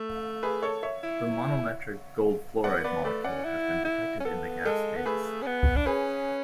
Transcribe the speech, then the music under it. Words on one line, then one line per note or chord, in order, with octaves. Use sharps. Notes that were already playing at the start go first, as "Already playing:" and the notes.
The monomeric AuF molecule has been detected in the gas phase.
Already playing: A3
G#4 B4
A4 C#5
C#5 E5
E4
B3 D5 F#5
B3 B4 D5
A3 B4 D5
C#4 D5 F#5
E4
E4
C#4
B3 A4
G#3 A4
B3
A3 G#4 B4
C#4
B3
D4
C#4 G#4 B4